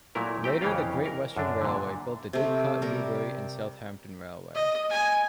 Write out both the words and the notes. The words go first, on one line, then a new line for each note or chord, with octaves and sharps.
Later, the Great Western Railway built the Didcot, Newbury and Southampton Railway.
A#2 F#3 A3 E4 A#4
A3 C4 G4 G5
F2 C#3 E3 C#4 F5
A#4
F#2 D3 D4
A#2 D3
C3 A3
G3 A#4
D#5
G#5